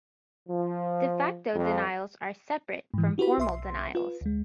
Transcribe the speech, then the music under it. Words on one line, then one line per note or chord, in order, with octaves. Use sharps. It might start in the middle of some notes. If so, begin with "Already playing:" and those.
De facto denials are separate from formal denials.
F3
F2
G#2 E3
E4 F#4 G4 B4 B5
B1 E5 C6
F4 B4
D2 G#3